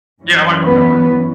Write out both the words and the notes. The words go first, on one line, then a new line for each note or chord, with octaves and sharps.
Yeah, I like Montgomery.
F#2 E3 G3 C#4
B3 B4